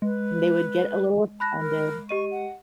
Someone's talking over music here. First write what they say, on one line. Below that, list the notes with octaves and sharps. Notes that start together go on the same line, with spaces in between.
And they would get a little offended.
G#3 B4
A5 B5 F#6 A#6
A#4
G4 D#5 C#6 D#7
F#5